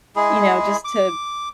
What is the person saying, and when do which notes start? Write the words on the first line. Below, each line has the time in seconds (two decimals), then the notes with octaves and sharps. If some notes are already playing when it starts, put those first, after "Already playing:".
You know, just to
0.16 G#3 E4 G#4
0.85 D6